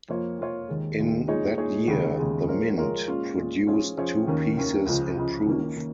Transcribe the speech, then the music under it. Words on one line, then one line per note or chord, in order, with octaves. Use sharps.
In that year, the mint produced two pieces in proof.
F2 F3 A#3 F4 C#5
F2 F3 A#3 F4 C#5
D#2 D#3 G#3
D#2 D#3 G#3
A#2 G#3 D#4 G#4 C#5
A#2 G#3 D#4 G#4 C#5
D#2 C#3 G#3
D#2 C#3 G#3
F3 G#3 F4 A#4 C#5
F3 G#3 F4 A#4 C#5
A#2 G#3 C#4 F4
A#2 G#3 C#4 F4
F3 C#4 F4 G#4 C#5
F3 C#4 F4 G#4 C#5
D#2 D#3 C#4 A#4
D#2 D#3 C#4 A#4
C#2 C#3 F3 G#3
C#2 C#3 F3 G#3
D#3 A#3 C#4
D#3 A#3 C#4